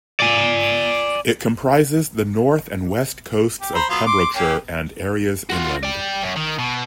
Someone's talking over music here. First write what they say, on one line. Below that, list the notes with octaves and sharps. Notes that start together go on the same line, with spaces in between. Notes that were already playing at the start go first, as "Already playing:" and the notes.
It comprises the north and west coasts of Pembrokeshire and areas inland.
D5 G#5
G4
C5 A#5 B5
F#3 B3 F4
C6 D6
A#3 C#4 G4
F4 F#4
D5 G5
F#2
D#3
B2